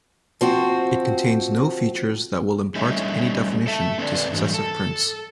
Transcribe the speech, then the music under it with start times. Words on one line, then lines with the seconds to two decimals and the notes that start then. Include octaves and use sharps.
It contains no features that will impart any definition to successive prints.
0.41 F3 C4 F#4
2.75 G3 A3 C#4 D#4 E4
3.67 A4 E5 A5
3.99 C4 D4 A4 B4 D5
4.32 G#2 E3 F#3 G3
4.54 A4